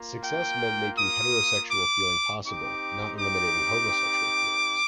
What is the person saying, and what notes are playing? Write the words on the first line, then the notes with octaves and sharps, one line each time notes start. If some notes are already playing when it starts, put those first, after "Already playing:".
Success meant making heterosexual feeling possible, not eliminating homosexual feelings.
Already playing: A#3 F4
G5
D#6
D6
C4 D#4 G4 D6
D6